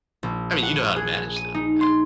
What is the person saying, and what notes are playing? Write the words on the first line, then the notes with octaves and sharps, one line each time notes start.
I mean, you know how to manage them, yeah.
A#1
F#5
G#4
D#7
D#4
C6